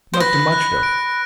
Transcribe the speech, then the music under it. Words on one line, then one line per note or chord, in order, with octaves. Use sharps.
Not too much, though.
C5
B4 A#6
F#6
D7